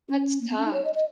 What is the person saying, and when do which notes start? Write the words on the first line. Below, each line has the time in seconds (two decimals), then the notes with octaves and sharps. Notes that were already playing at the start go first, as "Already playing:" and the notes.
that's tough.
0.09 C#4
0.41 A#3
0.49 B3
0.58 C#4
0.65 D#4
0.73 C#5
0.85 D#5
0.95 D#5